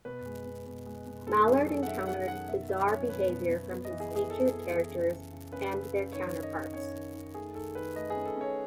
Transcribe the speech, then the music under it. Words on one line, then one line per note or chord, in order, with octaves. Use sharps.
Mallard encountered bizarre behaviour from his featured characters and their counterparts.
B2 B4
G#3
B2
B2
G#3
B2
D#3 A4
F#3 G#4
D#3 A4
F#5
C#4 E5
C#4 F#5
D#3 F#5
B2 E5
F#3 E5
C#4 C#5
B2 B4
B2
B2
B3
D#5
E3
G#4
E3 G#4
E3 A4
B3
E3
C#3
C#3
C#3
C#3 B4
C#3
C#3
D#3 C#5
D#3
D#5
D#3
C#4 C#5
D#3
D#3
A3 G#4
D#3 A4
D#3 B4
A3 D#5
G#4
C#4
A4
C#4 C#5